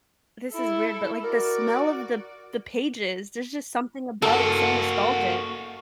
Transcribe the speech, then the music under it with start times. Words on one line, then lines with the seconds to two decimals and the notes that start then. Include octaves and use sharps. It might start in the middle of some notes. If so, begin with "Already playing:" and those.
this is weird, but, like, the smell of the the pages, there's just something about it, it's so nostalgic.
0.50 E4 A4
1.24 F#4 A#4 D5
4.22 A#3 F#4 A4